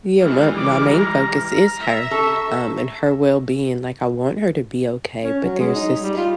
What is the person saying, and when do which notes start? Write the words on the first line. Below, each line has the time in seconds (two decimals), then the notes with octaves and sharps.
Yeah, my my main focus is her, um, and her well-being, like, I want her to be okay, but there's this
0.21 E3 G3 G#3 F6
0.57 D6
0.88 A#5
1.79 E5
2.11 A4 C#6
5.24 C#4
5.44 F#3
5.59 G#3
5.75 D#4
6.02 G3
6.17 F4